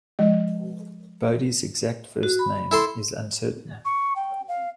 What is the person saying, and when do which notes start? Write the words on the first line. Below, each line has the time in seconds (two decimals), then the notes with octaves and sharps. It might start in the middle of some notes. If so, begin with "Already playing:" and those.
Bodey's exact first name is uncertain.
0.19 F3 G#3 D#5
2.23 F#4
2.39 B5
2.71 E4 A4 C6
3.85 C#6
4.16 G5
4.48 F5